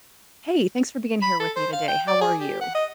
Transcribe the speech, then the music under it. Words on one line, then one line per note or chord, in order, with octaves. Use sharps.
Hey. Thanks for being here with me today. How are you?
B5
A4
C5
F5
G5
D5
G#4
G4
F#5
D#5